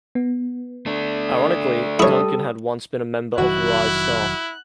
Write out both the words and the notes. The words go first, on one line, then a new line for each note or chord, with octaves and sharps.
Ironically, Duncan had once been a member of Wrye's staff.
B3
A3 D4
G3 E4 A4 C#5 D#6
F1 D#3 F#3 E4 F#4 F#6